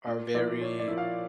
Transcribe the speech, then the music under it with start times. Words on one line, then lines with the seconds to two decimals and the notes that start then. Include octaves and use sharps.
are very
0.07 A#2 D5
0.34 F3 A#3 E4 D5
0.61 A#2 C#5
0.79 D5
0.88 F3 A#3 E4
0.98 F5